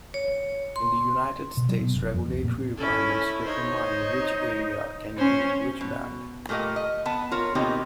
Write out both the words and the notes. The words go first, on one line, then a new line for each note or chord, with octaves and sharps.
In the United States, regulatory requirements determine which area can use which band.
C#5
C6
B2
F#3
B2
F#1
F2
C2
A#2
C#4 E4 A4
D#4 C5 C#5
C#4 C5
B2
A#2 A3 A#3 G4 D#5
D#5
B3 B4 A5
F4 A#4 C#5
B2 D#3 A#3 C4 D#4 G4